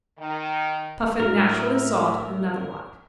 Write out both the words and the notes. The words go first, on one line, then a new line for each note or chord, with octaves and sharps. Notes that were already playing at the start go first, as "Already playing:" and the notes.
Puffin naturally saw it in another light.
D#3
A2 D4 F#4 A#4 E5